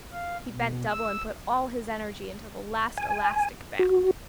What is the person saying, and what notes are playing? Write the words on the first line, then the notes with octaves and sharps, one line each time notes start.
He bent double, and put all his energy into the last elastic bound.
F5
B2
E6
G#5
F#4